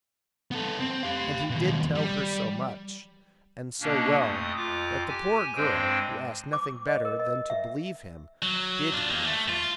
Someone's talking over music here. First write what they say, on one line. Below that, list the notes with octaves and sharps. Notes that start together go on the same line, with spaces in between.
And he did tell her so much, and so well, that the poor girl, who asked nothing better than to believe him, did believe him.
B3 A4
C4
G4 F5
D#2 B2
G3
B2 A#3 C#4 D4
F2 A3 D#6
F2 F4 D6
G4 G#5
G2 G#3 C4 C5 G5
D6
D#5
A#4
D#5
E5
F#3
D4 F4
A#3 G4
A3
F4